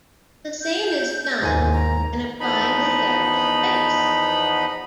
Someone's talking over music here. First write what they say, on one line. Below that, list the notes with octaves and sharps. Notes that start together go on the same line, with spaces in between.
The same is done when applying the hair to the base.
G6
D#2 G#2 G#5
A#5
E2 F3 B3 D#4 D#5 B5